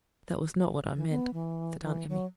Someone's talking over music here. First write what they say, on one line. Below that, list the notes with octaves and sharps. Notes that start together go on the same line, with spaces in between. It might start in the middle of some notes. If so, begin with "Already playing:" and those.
"That was not what I meant," said Aunt Emmy.
E3
B3
E3
E3
F#3